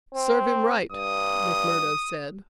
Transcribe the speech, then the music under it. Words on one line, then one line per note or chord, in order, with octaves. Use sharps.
"Serve him right," Macmurdo said.
C4
G2 D#6